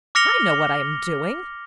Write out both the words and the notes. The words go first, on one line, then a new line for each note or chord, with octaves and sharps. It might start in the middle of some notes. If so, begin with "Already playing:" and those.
I know what I am doing.
D6 F6 A#6 C#7 F7 G7